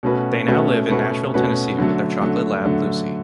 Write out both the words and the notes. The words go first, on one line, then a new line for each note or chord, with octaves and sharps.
They now live in Nashville, Tennessee with their chocolate lab, Lucy.
B2 A3 C#4 F#4 B4
B2 A3 C#4 F#4 B4
B2 A3 C#4 F#4 B4
B2 A3 C#4 F#4 B4
D3 F#3 A3
D3 F#3 A3
D3 F#3 A3